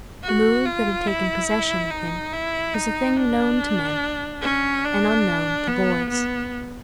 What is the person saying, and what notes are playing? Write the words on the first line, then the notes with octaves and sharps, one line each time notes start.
The mood that had taken possession of him was a thing known to men and unknown to boys.
F#4
F4
E4
D#4
E4
D#4
D4
C#4
D4
B3
B3